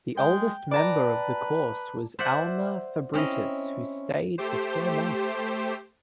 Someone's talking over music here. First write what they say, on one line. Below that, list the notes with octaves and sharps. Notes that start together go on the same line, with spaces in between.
The oldest member of the course was Alma Fabritius, who stayed for four months.
G#3 G5
B4 D5 A5 A#5
C5 D5 E5 F#5
C4 C#4 E4 D#5
A3 G4 C5